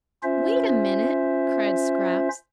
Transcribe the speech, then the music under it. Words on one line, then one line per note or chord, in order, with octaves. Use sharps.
"Wait a minute," cried Scraps.
C#4 F4 C5 E5